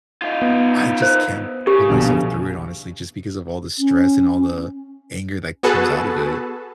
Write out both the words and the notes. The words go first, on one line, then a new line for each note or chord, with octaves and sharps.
I just can't, put myself through it honestly, just because of all the stress and all the, anger that comes out of it.
D#4 F4
B3
C5
C#3 G4
A#1 B2 D3
C#4
B3 F#4 G#4 A4 B4 A5